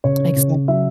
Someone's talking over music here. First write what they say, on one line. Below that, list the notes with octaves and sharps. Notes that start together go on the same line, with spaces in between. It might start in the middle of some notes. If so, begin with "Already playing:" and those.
Makes sen
C#3 C#5
C#3
F#3 E5